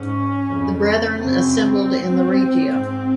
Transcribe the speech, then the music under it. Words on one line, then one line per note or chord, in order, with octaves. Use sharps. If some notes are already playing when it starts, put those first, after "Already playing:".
The Brethren assembled in the Regia.
Already playing: G#2 C#4
F2 C#3
F#2 C#3 C4
G#2
G#2